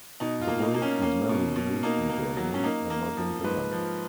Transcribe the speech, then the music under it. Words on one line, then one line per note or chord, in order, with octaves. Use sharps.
The word is mainly used in Berlin and northern Germany.
B2 D#4
F4
A#3
D#4
A#3
C#4
A#3 C#4
B2
B2
A#3 D#4
A#3
F#3
C#4
A#3 D#4
A#3
F3
G#2 B4
F3